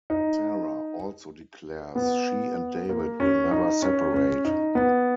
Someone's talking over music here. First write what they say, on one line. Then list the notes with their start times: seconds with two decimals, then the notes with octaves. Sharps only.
Sara also declares she and David will never separate.
0.10 D#4
1.96 B3
2.89 A#3
3.20 C#4
3.51 D#4
3.82 C#4
4.14 C#4
4.45 D#4
4.75 B3